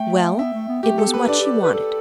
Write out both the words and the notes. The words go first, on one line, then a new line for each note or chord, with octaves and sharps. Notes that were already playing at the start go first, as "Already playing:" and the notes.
Well, it was what she wanted.
Already playing: A3 G5
B3 E5
A3
B3
A3 G4
A4
B3
B4
D4 D5
G4
B4
A4